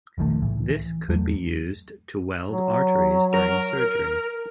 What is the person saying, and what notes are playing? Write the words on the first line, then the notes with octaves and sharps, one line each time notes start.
This could be used to weld arteries during surgery.
E1 A#1 D#3 A3
C#2 A2 E3
E3
E2 F#3 A3
F#3
A#4